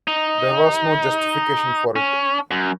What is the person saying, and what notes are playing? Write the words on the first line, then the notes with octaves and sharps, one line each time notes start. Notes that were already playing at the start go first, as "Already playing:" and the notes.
There was no justification for it.
D#4
C#4
F#2